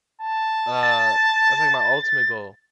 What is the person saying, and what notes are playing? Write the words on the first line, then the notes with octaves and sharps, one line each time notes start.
uh, that's, like, my ultimate goal,
A5
A6